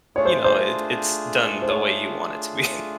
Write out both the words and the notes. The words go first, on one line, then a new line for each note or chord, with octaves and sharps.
you know, it it's done the way you want it to be.
A3 D4 F4 G#4 C#5
C5
C5
C5
C#5